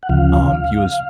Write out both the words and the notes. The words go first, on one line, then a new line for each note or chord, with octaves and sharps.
Um, he was
F#5
D2 C#3 F3 F5